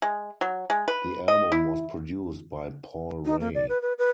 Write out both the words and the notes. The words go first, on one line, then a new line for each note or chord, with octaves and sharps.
The album was produced by Paul Ray.
G#3
F#3
G#3
B4
D#5
E4
D#4
A#3
D5
B4
B4
B4